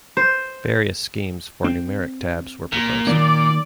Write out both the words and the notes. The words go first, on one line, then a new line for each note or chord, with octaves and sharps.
Various schemes for numeric tabs were proposed.
C5
C4
A#2
D#3 F#3 A#3 D5